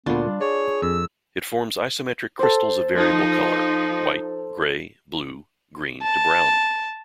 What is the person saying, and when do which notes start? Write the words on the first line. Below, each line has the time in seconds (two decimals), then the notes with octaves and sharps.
It forms isometric crystals of variable color: white, grey, blue, green, to brown.
0.06 D2 A#2 B3 D4 F4
0.27 G3
0.41 G#4 C#5 D5
0.82 F2 E6
2.39 A4 C5
2.96 F3 D#4
6.03 A5